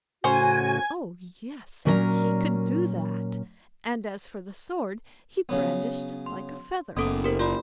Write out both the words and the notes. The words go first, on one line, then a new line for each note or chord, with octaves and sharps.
Oh yes! he could do that, and as for the sword, he brandished it like a feather.
A2 C#3 C#4 F#4 C5 G#5
A#2 F#3 C#4 A#4 C5 A#5
C#3 F#3 B3
C6
F#1 A#3 B3 A4 D#6
G4 A#4 C5
F4 C5 D5 B5